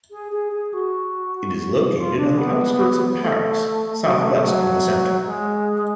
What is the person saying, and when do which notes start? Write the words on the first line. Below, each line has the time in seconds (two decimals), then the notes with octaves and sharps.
It is located on the outskirts of Paris, southwest from the centre.
0.11 G#4
0.32 G#4
0.53 G#4
0.73 F#4
1.97 F4
2.17 D4
2.38 B3
3.20 A3
4.03 F#3
4.18 G#3
4.23 A3
4.43 F#3
5.26 G#3